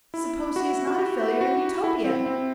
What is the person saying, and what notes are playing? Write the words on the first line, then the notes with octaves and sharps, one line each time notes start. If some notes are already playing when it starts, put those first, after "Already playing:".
Suppose he is not a failure in Utopia!...
E4
F#4
F#4
G4
F#4
E4
C4
C4